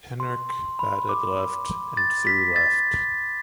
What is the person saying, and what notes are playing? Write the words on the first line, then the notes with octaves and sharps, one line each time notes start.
Henrich batted left and threw left.
C6
C6
B5
D6
A6
B6
A6